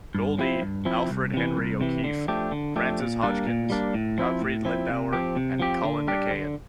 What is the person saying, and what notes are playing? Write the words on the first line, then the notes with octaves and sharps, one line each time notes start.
Goldie, Alfred Henry O'Keeffe, Frances Hodgkins, Gottfried Lindauer and Colin McCahon.
G2
F3 C4 E4
G2
F3 C4 E4
C2
C3 E3
C2
C3 E3
D3
F3 A3 D4 G4
D3
F3 A3 D4 G4
A#2
G3 A#3 D4
A#2
G3 A#3 D4
A2
F3 C4 E4
A2
F3 C4 E4
C3
F3 C4 G4
C3
F3 C4 G4
D3
G3 D4 G4
D3